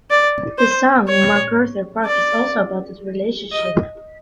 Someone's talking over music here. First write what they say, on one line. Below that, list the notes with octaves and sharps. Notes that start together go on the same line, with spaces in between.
The song MacArthur Park is also about that relationship.
D5
C5
C#5
D5
D#5